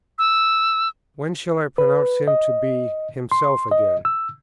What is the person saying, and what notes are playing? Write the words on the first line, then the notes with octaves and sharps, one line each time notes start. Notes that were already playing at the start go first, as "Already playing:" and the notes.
When shall I pronounce him to be himself again?
E6
B4
D#5
C6
D#5
E6